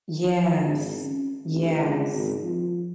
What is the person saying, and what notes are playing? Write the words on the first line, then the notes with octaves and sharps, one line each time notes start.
Yes. Yes.
G#1
C#4
F1
C#2
G#1
F3